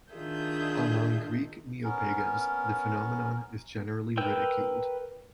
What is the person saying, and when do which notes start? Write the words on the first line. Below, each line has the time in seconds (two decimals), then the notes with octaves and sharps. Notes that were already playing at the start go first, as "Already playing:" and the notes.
Among Greek neopagans the phenomenon is generally ridiculed.
0.13 D#3 D4 F4 G#4 E5 G6
1.84 B3 C#4 A#4
4.17 A#4 B4 G5 E6 G6